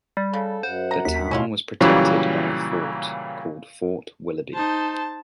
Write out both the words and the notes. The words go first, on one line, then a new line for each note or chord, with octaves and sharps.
The town was protected by a fort, called Fort Willoughby.
G3
C#3 A4
F#2 C5 F#5
A#5
D#2 B6
B2 C#4 E4 F4
A#2 C#3 E3 F#3 G3
D#4 C5 A5